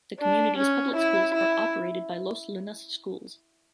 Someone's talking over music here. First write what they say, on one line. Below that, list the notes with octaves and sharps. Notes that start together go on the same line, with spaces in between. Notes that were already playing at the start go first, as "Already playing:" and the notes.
The community's public schools are operated by Los Lunas Schools.
D4
C#4
E4
E4